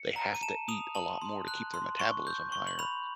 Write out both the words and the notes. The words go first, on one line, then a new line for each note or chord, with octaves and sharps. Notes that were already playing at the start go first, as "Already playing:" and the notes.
they have to eat a lot more to keep their metabolism higher
Already playing: C#7
A#5
D#7
A5 E7
D#6 F7
A5 F#7
C6
F#6
C6
C#6
G6
C#6
F#7
B5 F7